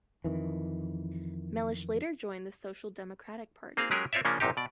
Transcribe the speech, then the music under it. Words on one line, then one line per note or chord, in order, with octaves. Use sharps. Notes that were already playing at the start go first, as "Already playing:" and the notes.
Mellish later joined the Social Democratic Party.
F2 D#3 E3
A#3 C4 G#4 F5
F#3 G#3 C#4 G4 G#4 A#4
C4 F4 C#5 D5 E5
C#3 F3 A#3 C#4 D4
A1 F#2 C3 D#4 G4
B2 D5